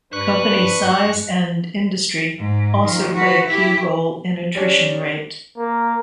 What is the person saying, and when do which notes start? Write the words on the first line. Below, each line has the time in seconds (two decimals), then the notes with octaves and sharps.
Company size and industry also play a key role in attrition rate.
0.13 G2 D4 B4 C#6 F#6
2.39 G#2
2.84 D#3 F3
3.14 F#4 B4
3.47 E4 G4
4.55 G3 C#4 D4
5.57 A#3